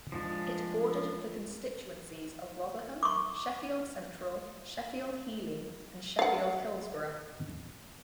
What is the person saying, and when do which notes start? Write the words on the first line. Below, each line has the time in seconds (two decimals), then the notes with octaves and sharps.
It bordered the constituencies of Rotherham, Sheffield Central, Sheffield Heeley and Sheffield Hillsborough.
0.12 F3 G#3 D4
3.03 C#6 D6
6.19 F5 F#5